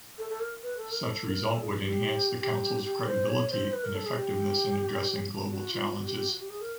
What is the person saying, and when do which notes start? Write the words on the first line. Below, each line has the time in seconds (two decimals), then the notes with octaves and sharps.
Such result would enhance the Council’s credibility and effectiveness in addressing global challenges.
0.18 A4
0.29 A4
0.40 A#4
0.63 B4
0.77 A4
0.92 A#4
1.07 A4
1.29 A#4
1.51 A4
1.62 G#4
1.84 G4
2.39 G4
2.84 G4
3.06 C5
3.29 C#5
3.50 C5
3.73 B4
3.84 A#4
3.95 A4
4.06 G#4
4.17 G4
5.50 F#4
5.72 F4
5.94 F#4
6.06 G4
6.17 G4
6.28 F#4
6.39 G4
6.49 G#4
6.61 A#4